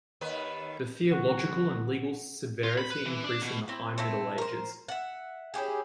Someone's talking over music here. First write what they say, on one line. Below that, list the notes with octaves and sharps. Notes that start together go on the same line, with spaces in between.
The theological and legal severity increased in the High Middle Ages.
D#2 D#3 B4
C2 D3 F#4 F#5
F4
B5
B4
E3
D4
B2
C4 E4
A3 C4 E4
A#4 C5
E5 F#5
C#4 E4 G4 G#4